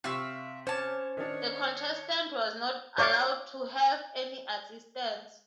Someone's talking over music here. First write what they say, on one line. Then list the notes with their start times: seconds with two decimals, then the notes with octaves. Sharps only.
The contestant was not allowed to have any assistance.
0.04 C3 E5 F5 C#6 E6
0.67 C#4 C5 C#5 A5 D6
1.17 D#3 D4 C#5
2.98 C#5 D5 F5 D6